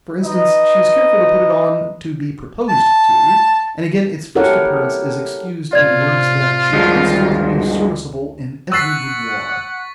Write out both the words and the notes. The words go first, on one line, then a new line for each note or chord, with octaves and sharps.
For instance, she is careful to put it on to be proposed to; and again its first appearance is excused in words that should henceforth be serviceable in every boudoir.
D#4 B4 D#5
A5
E4 G4 A4 A#4 C#5 F#5
A2 C3 F4 D5 G#6
D2 G2 D#3 F3 G#3
F#5 C#6 E6 F#6 A6 B6 C7